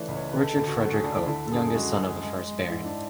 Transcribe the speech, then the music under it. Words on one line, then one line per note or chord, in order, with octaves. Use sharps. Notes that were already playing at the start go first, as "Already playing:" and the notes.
Richard Frederick Hope, youngest son of the first Baron.
Already playing: C#3 E3 A3 B4 C#5 D5 E5
C#2
C#5
D3 B4
A4
D2 A4
F#4
A3 A4
G#4
D2 D4
E4
D3 E4
A4
F#2 G#4
G#4
G#3 F#4
F#2 G#4
G#3
G#3
G#2 E4
D4